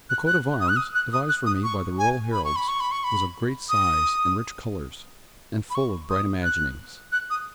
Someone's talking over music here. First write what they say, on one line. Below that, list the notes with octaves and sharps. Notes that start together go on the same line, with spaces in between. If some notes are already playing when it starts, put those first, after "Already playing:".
The coat of arms, devised for me by the Royal heralds, was of great size, and rich colours, and full of bright imaginings.
F#6
F#6
D#6
F#6
D#6
F#6
D#6
F#6
D#6
C#6
G#5
B5
C#6
B5
C#6
B5
C#6
B5
D#6
B5
C#6
D#6
F#6
F#6
D#6